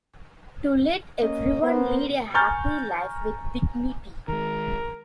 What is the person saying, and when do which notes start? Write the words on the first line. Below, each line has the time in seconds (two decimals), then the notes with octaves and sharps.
To let everyone lead a happy life with dignity.
1.22 A#3 C#4 D#5
1.63 B3 A#4 C5
2.34 G#5 A#5 C#6 F6 G6 A6
4.28 D#3 G#3 A#4